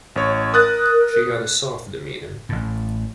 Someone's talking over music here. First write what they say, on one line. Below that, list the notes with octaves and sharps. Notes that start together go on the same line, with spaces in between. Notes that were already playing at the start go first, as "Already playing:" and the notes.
She had a soft demeanour.
A1 C#5
A#4 D#6 F#6 A6
A1 A2